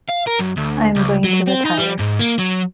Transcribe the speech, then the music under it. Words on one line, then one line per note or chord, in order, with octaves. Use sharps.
I am going to retire.
F5
A#4
F#2
D2
C#2
F#3
C4
D#4
G3
G#2
A#3
F#3